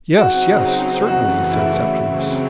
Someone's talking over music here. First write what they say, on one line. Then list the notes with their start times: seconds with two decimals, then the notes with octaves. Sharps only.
"Yes, yes, certainly," said Septimus.
0.18 C#3 F#3 C4 D#4 F#4
1.07 F#2 C#3 E3 A3 F#4
1.51 E4
1.96 C#3 F#3 C4